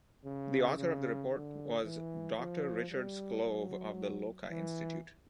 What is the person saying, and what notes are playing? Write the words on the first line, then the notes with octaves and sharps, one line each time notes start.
The author of the report was Doctor Richard Sclove of the Loka Institute.
C#3
C#3
D3
E3
F3
G3
F#3
E3